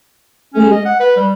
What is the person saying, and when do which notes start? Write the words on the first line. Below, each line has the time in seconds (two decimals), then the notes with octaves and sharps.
Oh, yeah.
0.54 C#4
0.71 D#5
0.85 F#5
1.00 B4
1.16 G3